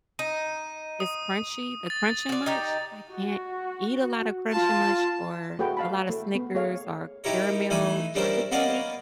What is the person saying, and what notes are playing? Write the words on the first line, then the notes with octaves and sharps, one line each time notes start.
It's crunchy, the Crunch 'n Munch I can't eat a lotta Crunch 'n Munch or a lotta Snickers or caramel chocolate candy,
D#4 D#7
D#6
D#6 A6
F#4 D5
D#4 G4
F#4
F4 A5
A3 F#4 G#4 B4 F#5 G5
F5 A5 B5
A3
B3
A3 G#4 C#5 F5
D#4 E4 G4 A#4 C#5
E3 A3 D#4 G#5 B5
G3 C#4 D4 A#4 C5 E5
A#3 B3 C#4 D5 D#5 F5